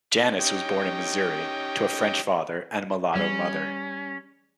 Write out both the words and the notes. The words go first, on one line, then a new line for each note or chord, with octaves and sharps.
Janis was born in Missouri to a French father and a mulatto mother.
C#4 D#4 G4 G5
G3 C#4